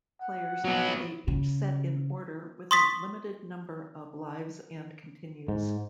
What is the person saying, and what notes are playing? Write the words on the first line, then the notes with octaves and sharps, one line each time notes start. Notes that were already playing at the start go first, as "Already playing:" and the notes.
Players navigate each set in order with a limited number of lives and continues.
F#5
F#3 B3
C#3
C6 C#6 D#6 A6 B6
G#2